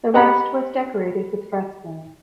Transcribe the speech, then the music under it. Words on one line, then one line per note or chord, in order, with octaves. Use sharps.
The rest was decorated with frescos.
G4 B4 D#5 F#5 A#5 B5